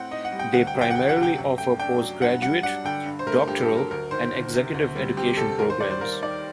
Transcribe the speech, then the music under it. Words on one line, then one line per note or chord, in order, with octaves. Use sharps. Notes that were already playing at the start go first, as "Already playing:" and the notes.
They primarily offer postgraduate, doctoral and executive education programmes.
Already playing: A2 C4 F#5 G5
D#4 D#5
F#5
G3
G5
D2 F#5
G5
F#3
G5
F#5
D2 G5
F#5
C3
G5
F#2
A3 G5
D4 G5
F#3
G2 F#5
G3 F#5
D4 F#5
D3 G5
G2
C5
A3 A#4
G2 G4
A4
F#3
A#4
D2 A#4
D#3 C5
D2
C3
D2
G3
C4 G4
C3 A4
D#2 A#4
C5
G3 D5
C5
D#2 A#4
D#3 D5